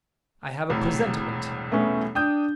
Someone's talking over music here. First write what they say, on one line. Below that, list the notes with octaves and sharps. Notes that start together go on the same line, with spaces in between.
I have a presentiment.
E1 C2 A2
A3 B3 C#4
D4 G5 D#6 G6